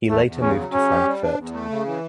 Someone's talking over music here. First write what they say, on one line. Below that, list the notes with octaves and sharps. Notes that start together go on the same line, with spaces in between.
He later moved to Frankfurt.
E2 A3
E2
C#3 C#4
F#3
C#3 C#4
G4
G3
D4
E2
A3
C#3
E3